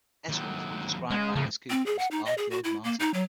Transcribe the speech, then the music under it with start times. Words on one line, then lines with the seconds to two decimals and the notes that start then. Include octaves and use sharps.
Ezrin has been described by Alice Cooper as "our George Martin".
0.29 D#2 F#3
1.11 G#3 C#4 G#4
1.36 F2 A2 C#3
1.70 C4
1.86 G#4
1.99 F#5
2.11 D#4
2.26 D#5
2.38 G#4
2.51 F#4
2.64 E4
2.84 A#3
3.00 D#4
3.14 F#3